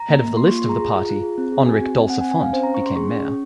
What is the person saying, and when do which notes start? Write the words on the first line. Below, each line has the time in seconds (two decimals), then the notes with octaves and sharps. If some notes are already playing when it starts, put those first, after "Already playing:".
Head of the list of the party, Enric Dolsa Font became mayor.
Already playing: A#5
0.09 A#3
0.22 A#3
0.37 A#3 C6
0.47 F4 C#6
0.59 C6
0.66 G#4 A#5
0.80 G#4
0.95 F4
1.09 F4
1.23 G#4
1.38 C4
1.52 G#4
1.66 F#4 G#5
1.81 C4
1.96 C4
2.10 C4 F#5
2.21 G#5
2.24 C4
2.31 G#5
2.38 C4 F5
2.53 C#4 C5
2.63 C#4 A#5
2.74 C#6
2.82 C#4 C6
2.96 G#4 C#6
3.11 C#4
3.25 C#4